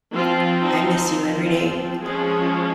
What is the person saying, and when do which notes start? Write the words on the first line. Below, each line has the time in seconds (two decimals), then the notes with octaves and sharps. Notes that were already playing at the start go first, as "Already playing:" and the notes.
I miss you every day.
0.14 F3 C4 F4
0.62 D#4
1.08 F3 C4 F4
2.03 F3 G#3 C#4 G#4